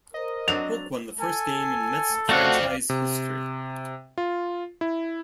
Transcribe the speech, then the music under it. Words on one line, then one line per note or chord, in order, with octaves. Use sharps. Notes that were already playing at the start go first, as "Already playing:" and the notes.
Hook won the first game in Mets franchise history.
A#4 C5 D#5
F#3 C4 D4 F7
A4 G#5
F2 A3 C4 F#4 D5 F5 F#5
C3
F4
E4